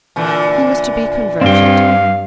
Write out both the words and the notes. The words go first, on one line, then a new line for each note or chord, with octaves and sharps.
He was to be converted.
A#2 D3 E3
G2 C4 F5 G5